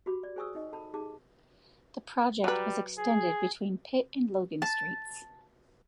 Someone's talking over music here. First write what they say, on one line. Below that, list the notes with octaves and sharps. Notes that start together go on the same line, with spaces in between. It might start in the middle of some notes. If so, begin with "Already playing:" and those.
The project was extended between Pitt and Logan Sts.
F#4 G4 B5 D6
D5
G#4 C5 G#5 C#6 D#6 E6
D#4 D#5
A4 A5 B5
D#4 G4 G#4 A5 D6
F#3 G3 B4
G#4
A5